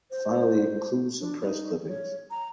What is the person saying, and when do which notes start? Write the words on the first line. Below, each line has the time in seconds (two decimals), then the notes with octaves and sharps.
Finally, it includes some press clippings.
0.11 C5
1.19 D4
1.40 D#4
1.88 C#5
2.31 A#5